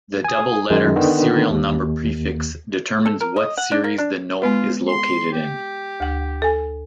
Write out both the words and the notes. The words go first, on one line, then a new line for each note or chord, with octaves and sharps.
The double letter serial number prefix determines what series the note is located in.
G#5 D#6
F#2 D#3 G#3
D3 D#3 B3
D#2
A4
A#4
D#5
F#5
D4
A#3
D4
G#3 B3 F4 B4
C6
G4
D2 F#5
A4 G#5